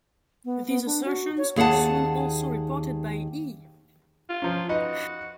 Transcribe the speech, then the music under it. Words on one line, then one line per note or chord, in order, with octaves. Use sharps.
These assertions were soon also reported by E!
B3
B3
D4
F#4
C#5
D#2 G#4 F5 F#5 A5
F4
F3 C#4
D#4 F#4 B4 D#5